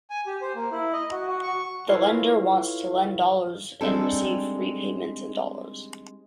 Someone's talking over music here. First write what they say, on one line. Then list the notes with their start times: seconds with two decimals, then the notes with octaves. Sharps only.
The lender wants to lend dollars and receive repayments in dollars.
0.10 G#5
0.26 G4
0.42 C5
0.55 A#3
0.71 E4
0.93 D#5
1.11 F#4
1.27 F#4
1.42 C#6
1.88 E4 F4 A4 B4 C#5 F5
3.81 G3 G#3 C4 D4 D#4 A4